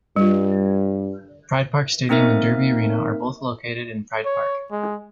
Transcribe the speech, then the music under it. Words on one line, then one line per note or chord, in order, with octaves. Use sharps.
Pride Park Stadium and Derby Arena are both located in Pride Park.
G2 G3 F4
A#3 C4 D#4 A#4 E5
C#5
G#3